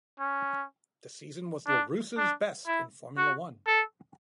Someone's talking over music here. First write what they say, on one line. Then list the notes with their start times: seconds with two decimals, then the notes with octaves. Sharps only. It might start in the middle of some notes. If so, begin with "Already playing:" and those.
The season was Larrousse's best in Formula One.
0.20 C#4
1.67 D4
2.17 D4
2.67 E4
3.17 F#4
3.67 A4